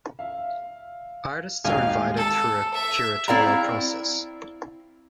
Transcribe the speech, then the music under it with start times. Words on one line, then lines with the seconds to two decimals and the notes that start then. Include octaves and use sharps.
Artists are invited through a curatorial process.
0.19 E5 F5
1.64 G#1 D#2 G#2 D#5 F5 G5 G#5
2.16 A4
2.74 E5
3.28 C4 E4 D5 F5 G5 A#5